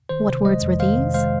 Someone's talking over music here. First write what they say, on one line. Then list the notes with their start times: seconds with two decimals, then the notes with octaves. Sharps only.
What words were these?
0.09 D#3 C5
0.27 C3
0.45 G#3 D#5
0.62 F2
0.79 D#3 C5 F5
0.97 C3
1.14 G#3 C5 F5